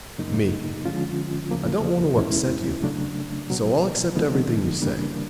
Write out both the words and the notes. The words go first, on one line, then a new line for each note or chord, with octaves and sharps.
ME: I don't want to upset you, so I'll accept everything you say.
F#2 C#3 F#3 A#3 D#4
D3 F3 G#3 C#4 F4
E2 C#3 F3 A#3
E2 B2 G#3 C#4 E4
C#3 F#3 A3 D4
C2 B2 F#3
D3 F3 G#3 B3 D#4
C#3 E3 G3 A#3 D4